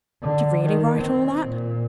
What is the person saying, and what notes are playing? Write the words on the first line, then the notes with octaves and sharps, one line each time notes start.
Did she really write all that?
D3
D#3
C4
A#2